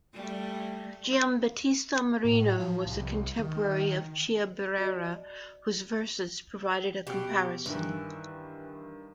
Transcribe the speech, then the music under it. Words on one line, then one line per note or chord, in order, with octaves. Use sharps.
Giambattista Marino was a contemporary of Chiabrera whose verses provide a comparison.
G3 A3
A2
F3
C2
D#3
F#4 D5 D#5
B2 G4
G2 D#3 E3